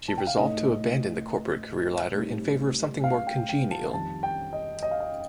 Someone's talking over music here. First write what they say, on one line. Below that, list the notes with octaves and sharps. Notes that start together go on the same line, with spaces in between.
She resolved to abandon the corporate career ladder in favor of something more congenial.
A5
G5
F5
A2 A3 D#4 D#5
A2 G3 C4 D#4
F5
G5
G5
A5
F2 D#3 G3 A5
G5
D#5
D#5
F5
D#5